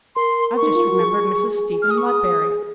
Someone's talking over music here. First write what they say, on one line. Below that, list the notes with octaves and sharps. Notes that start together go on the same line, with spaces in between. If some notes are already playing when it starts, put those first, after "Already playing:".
I’ve just remembered Mrs. Stephen Ludberry.
A#4 C6
C#6
D#4
F4
F#4
G#4
F6
D#6
C#6
D#6